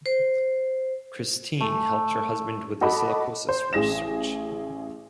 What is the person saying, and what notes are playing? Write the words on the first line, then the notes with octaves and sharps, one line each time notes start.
Christine helps her husband with his silicosis research.
C5
A3
F#4 A4 D#5 B5 D6
C5
A1 G#4 A#6 E7